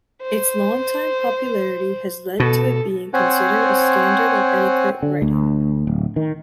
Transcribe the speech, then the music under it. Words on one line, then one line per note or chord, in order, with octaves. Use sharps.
Its longtime popularity has led to it being considered a standard of etiquette writing.
C5
B2 A4
C4 C5 C#5 F#5 G#5
D3
D2
D1
D#3